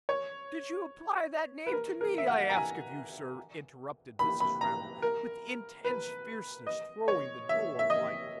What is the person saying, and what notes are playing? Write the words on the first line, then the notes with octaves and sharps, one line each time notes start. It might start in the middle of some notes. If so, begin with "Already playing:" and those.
'Did you apply that name to me, I ask of you, sir?' interrupted Mrs. Raddle, with intense fierceness, throwing the door wide open.
C#5
B4
A#4
A#4
E5
F#5
A#5
G#5
B5
B5
A#5
A#4
B4
D#5
C#5
E5
E5
D#5